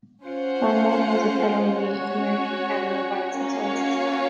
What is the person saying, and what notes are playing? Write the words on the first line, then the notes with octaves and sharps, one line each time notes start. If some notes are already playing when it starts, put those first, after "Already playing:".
Lanman was a Fellow in the American Academy of Arts and Sciences.
C#4 F4 C5 F#5
C#4 F#4 C#5
A#3 C#4 F#4 C#5 F5